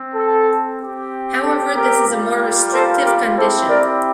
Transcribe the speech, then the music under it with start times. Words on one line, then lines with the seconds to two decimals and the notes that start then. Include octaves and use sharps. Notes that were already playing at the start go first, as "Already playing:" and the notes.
However, this is a more restrictive condition.
Already playing: C4
0.14 A4
0.79 C4 G4
1.43 A4
1.75 G4 A#4
2.08 G3 A#3 F4
2.72 A4 C5
3.05 G4 A#4
3.37 C4 E4 G4 A4 C5
3.69 A#4 D5